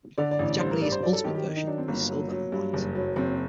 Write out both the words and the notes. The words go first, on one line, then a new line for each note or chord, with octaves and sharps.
The Japanese "Ultimate Version" is silver and white.
D3 D5
D5
A1
D5
G2 C5
A#4
G2 D5
C5
F#3 D5
A4
D#3 G4
G4
D#3
D#4
F#3 D4
C4
G1 A#3
F#3
F#3
G2
F#1
F#3
F#1 C4